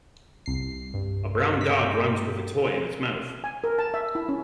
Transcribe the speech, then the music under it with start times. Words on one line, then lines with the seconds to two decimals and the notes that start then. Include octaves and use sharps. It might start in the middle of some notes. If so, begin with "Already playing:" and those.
A brown dog runs with a toy in its mouth.
0.46 C2 C7
0.94 G2
1.61 G5 A#5 B6
3.44 G#5
3.64 A#4
3.79 A5
3.94 E5
4.15 E4
4.29 C#4